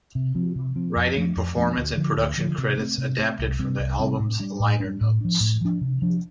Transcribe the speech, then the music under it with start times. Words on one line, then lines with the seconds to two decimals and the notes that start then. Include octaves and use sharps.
Writing, performance and production credits adapted from the album's liner notes.
0.15 C3
0.35 F3 C4
0.56 C3
0.76 F3 C4
0.96 F2
1.16 F3 A3 D4
1.36 F2
1.57 F3 A3 D4
1.77 D2
1.97 D3 F3
2.17 D2
2.38 D3 F3
2.58 C3
2.78 A3 C4
2.98 C3
3.18 A3 C4
3.39 C2
3.59 C3 G3 C4
3.79 C2
3.99 C3 G3 C4
4.20 A2
4.39 G3 D4
4.60 A2
4.80 G3 D4
5.01 A2
5.21 F3 D4
5.40 A2
5.61 F3 D4
5.81 C3
6.02 F3 D4